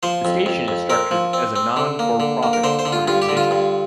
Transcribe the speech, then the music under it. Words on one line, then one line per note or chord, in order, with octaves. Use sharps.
The station is structured as a non-for-profit organisation.
F3 C5
F2
F2
F2
C4 A#4
F3
C4
C4
D3
A#3
D3
A#3
A#4
D3 C5
C5
D3
F4
G2 F4
G4
D3
F4
G2